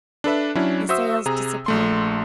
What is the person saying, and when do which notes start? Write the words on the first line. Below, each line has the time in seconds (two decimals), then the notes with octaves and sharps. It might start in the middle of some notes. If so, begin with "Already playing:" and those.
The sails disappeared.
0.24 D4 A4 B4 E5
0.55 F#3 C#4 D4 E4
0.89 F#4 C5 E5 D#6 E6
1.26 C3 G#4 A#5
1.66 A#1 A3 C6